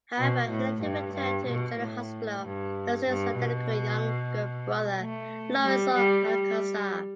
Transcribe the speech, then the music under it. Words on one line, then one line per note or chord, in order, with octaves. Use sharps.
However, he later returned to "General Hospital" as Luis' identical younger brother, Lorenzo Alcazar.
B2
A2
G2
G2
B2
A2
G2
G2
B2
A3
G3
G3
G3